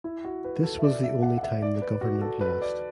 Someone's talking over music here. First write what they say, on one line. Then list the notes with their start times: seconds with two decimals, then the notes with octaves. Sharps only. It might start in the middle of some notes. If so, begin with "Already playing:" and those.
This was the only time the government lost.
0.04 E4
0.25 F#4
0.44 B4
0.63 A4
0.79 E5
0.84 D5
1.03 E5
1.22 F#5
1.38 F#5
1.43 E5
1.62 D5
1.82 B4
2.01 F#4
2.22 A4
2.41 B4
2.61 D5